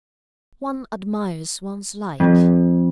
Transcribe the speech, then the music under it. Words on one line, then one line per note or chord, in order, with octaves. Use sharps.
One admires one's like.
F2